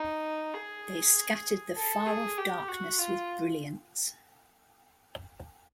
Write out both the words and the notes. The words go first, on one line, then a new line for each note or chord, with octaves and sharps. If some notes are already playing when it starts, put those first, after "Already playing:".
They scattered the far-off darkness with brilliance.
Already playing: D#4
G#4
A4
G#4
G4
F#4
F4